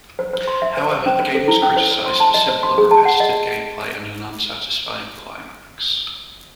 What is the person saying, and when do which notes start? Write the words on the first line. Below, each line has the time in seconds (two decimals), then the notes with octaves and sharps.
However, the game was criticized for simple and repetitive gameplay and an unsatisfying climax.
0.19 C5
0.33 C5
0.48 C6
0.62 E5
0.77 C5
0.91 C5
1.06 C#4
1.20 C5
1.34 A4
1.48 E4
1.62 C#4
1.76 C5
1.91 C5
2.06 C6
2.20 A5
2.34 D#5
2.48 C5
2.63 C6
2.78 G#4
2.91 A5
3.05 F#5
3.20 D#5